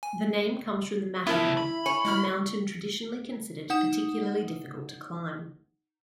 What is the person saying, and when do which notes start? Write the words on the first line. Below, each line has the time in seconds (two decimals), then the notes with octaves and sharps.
The name comes from the Matterhorn, a mountain traditionally considered particularly difficult to climb.
0.03 G#5
1.27 F3 B3 E4 F4 A#4
1.57 B5
1.86 C#5 G#5
2.05 G#3 E4 F6
3.70 D#4 F#5 D#6 E7